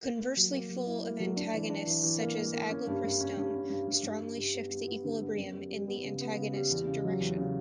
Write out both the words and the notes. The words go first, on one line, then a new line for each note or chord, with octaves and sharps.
Conversely full antagonists such as aglepristone strongly shift the equilibrium in the antagonist direction.
A#3
A#3
F#3
A#3
F#3
E4
A#3
F#3
D4
E3
D4
E3
E3
A#3
A#3
A#3
C#4
G2
G2
C#4
G2
C#4
G2
G2
G2
G3
G2
B3
G3
B3
D3
B3
F#2
G3
G3
B3
C#3
B3
C#3
G3
E2
C#3
F#3
E2
C#3